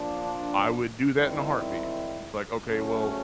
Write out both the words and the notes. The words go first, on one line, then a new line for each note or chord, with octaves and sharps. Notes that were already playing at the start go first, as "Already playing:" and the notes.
I would do that in a heartbeat." It's like, okay, well,
Already playing: A#2 F3 A#3 D4 F4
G#2 D#3 G3 C4 E4
D2 C#3 F#3 A3 C#4